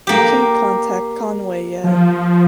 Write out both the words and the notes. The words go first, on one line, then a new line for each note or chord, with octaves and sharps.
You can’t contact Conway yet.
A#3 G4
F3